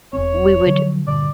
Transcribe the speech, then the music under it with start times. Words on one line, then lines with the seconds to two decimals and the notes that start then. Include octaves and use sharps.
we would
0.13 E1 C4 C#5
0.66 D3 F3 F#3
1.07 G2 A#2 D3 D5